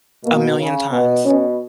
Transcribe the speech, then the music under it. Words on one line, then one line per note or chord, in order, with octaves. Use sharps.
A million times.
B2 A#3
C#3
B2 B3
B2 C#4